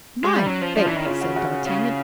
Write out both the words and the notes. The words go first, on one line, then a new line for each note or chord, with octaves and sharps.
"My faith," said d'Artagnan.
G#3
G3
F#3 C#4
F3
F3 D4
E3 E4
D#3
C#3 F4
F#4
F#4
C#3